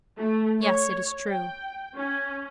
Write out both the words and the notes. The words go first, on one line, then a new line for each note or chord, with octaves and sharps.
Yes, it is true.
A3
C#5
G5
C#4